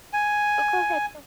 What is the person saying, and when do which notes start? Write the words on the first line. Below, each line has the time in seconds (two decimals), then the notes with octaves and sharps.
Oh, go ahead, no.
0.13 G#5